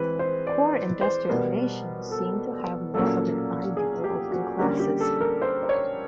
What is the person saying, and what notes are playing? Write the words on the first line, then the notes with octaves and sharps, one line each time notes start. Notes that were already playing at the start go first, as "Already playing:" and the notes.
Core industrial nations seem to have more of an ideal open class system.
Already playing: E3 G#3 C4 B4
C5
D5
C5
B2 G3 B3 A#4
A4
A#2 F#3 A#3 C#4 A4
G#4
G4
F#4
D3 G3 A#3 C#4 G4
G4
A4
A#4
C5
C5
C#5